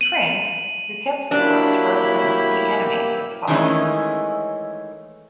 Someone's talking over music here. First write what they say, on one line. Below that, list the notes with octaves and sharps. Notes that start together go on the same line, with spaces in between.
Frink, who kept the corpse frozen, reanimates his father.
D#7 F#7
F#3 A#3 D4 E4 G4 E6
D#3 E3 G#3 A3 C#4 D#4